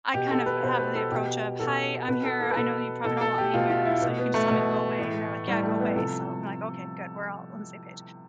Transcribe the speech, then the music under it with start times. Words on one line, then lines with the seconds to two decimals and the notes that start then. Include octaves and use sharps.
I kind of have the approach of, "Hi, I'm here, I know you probably don't want me here, so you can just tell me to go away," and they're, like, "Yeah, go away." So, I'm, like, "Okay, good," we're all on the same page,
0.14 B2 G4
0.31 A4
0.46 B4
0.63 B2 C5
0.79 B4
0.95 A4
1.12 B2 G4
1.60 B2 A4
2.09 B2 B4
2.24 A4
2.40 A4
2.51 B4
2.56 B2 A4
3.05 B2 A4
3.21 A4
3.38 G4
3.54 B2 F4
3.70 F4
3.85 E4
4.02 B2
4.19 B3
4.34 A3
4.50 B2
4.99 A2 E3
5.47 A2 E3 G3
5.63 A3
5.80 B3
5.96 C3 F3 A4